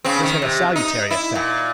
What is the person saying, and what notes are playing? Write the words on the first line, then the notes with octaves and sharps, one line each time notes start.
This had a salutary effect.
C#3 C4
D#3
C3
D#4
E4
A#2